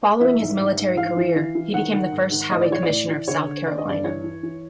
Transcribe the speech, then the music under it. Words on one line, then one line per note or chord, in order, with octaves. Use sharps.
Following his military career he became the first Highway Commissioner of South Carolina.
E3 E5
G#2
G#2
G#2
E3 F5
E3
E3
E3
D#3 F#5
D#3
G#2
D#3
A2 D#5
D5
E3 C#5
D5
A2
E3
D3 C#5
D3
D3 D5
D#5
G2 D5
E3 C#5
E3
E3